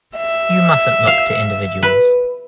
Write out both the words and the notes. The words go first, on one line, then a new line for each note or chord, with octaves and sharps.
You mustn't look to individuals.
E5
F5
B4